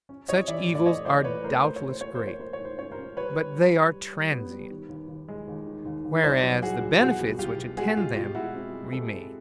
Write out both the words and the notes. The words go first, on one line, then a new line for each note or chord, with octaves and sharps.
Such evils are doubtless great, but they are transient; whereas the benefits which attend them remain.
C#4
C#4 C#5 D#5
E3 D5 E5
A2
D5
A3 C#5 D#5
A3 C5 D5
E3 B4 C#5
A3 A#4 C5
A#3 C5
C#5
C#4
C5
A#3 C#5
C5
A#3
C#5
A#3 C5
C#5
G#2
C5
C#4 C#5
A#4 C5
C#4
G3 B4 C#5
G3
G3
G3
G3
G3
B3
G3
D#3
D#2
D#2
G#3
D#2
D#3
D#2
D#2
C2 C5 D5
F#3
C2 F#4 G#4
C2
B2 F#4 G#4
C2
C2 F4 G4
B2
G#3 F#4 G#4
G#3 F4 G4
B2 F4 G4
G#3 E4 F#4
C4
G#3
G#3 G4 A4
C4